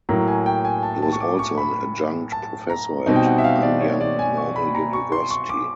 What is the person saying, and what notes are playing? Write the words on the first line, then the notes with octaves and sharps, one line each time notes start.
He was also an adjunct professor at Anyang Normal University.
A2 F#3 A#3 A#5
G#5
G5
G#5
A5
A5
C#6
D6
C#6
B5
A5
A#5
B2 G3 C4 D#4
G5
F#5
E5
F5
D5
C#5
D5
G#5
C#6
B5
A#5
C#6
C6
C#6
D6